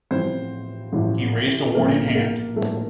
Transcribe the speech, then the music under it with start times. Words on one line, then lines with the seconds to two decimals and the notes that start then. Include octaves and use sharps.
He raised a warning hand.
0.11 A1 A2 F3 C4 C5
0.93 A1 A2 F3
1.66 A4
1.75 A#1 A2 F3 A#3 A#4
2.15 A#3 A#4
2.56 A#1 A2 F3 A3 A4